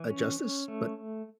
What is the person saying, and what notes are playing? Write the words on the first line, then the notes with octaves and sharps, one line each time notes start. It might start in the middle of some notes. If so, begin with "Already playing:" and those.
a justice, but
Already playing: E3
C#4
C#4
A3